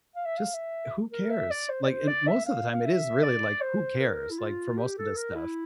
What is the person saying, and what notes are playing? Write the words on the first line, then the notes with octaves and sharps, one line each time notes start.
just who cares?" Like, in most of the time it is really like, "Who cares?" Like, for most of this stuff.
F5
E5
F5
E5
A#4
E5
D5
C5
D5
C5
D5
E5
F5
E5
D5
C5
A#4
E4
F4
G4
A4
A#4
E4